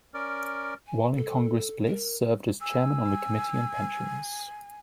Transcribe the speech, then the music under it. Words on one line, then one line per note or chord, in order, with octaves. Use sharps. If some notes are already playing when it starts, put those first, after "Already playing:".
While in Congress Bliss served as Chairman on the Committee on Pensions.
C#4 A#4 D5
G#5
A4
A#4
G#5 E6